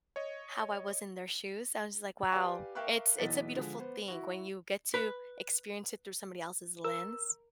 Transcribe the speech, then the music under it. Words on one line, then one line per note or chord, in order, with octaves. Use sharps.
how I was in their shoes, I was just, like, "Wow." It's it's a beautiful thing when you get to experience it through somebody else's lens.
C#5 D#5
G4 B4 D5 F5 G#5 D6
A#4 E5 F5 G5 C#6 F#6
B1 E2 E3 D#5 A6 B6
D3 F3 G#3
B3 C5
E4 F#4
B4
A#4 E6